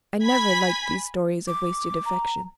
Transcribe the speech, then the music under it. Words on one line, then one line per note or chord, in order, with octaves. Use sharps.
I never liked these stories of wasted affection.
G#5 B5 G#6 B6
D6
A#5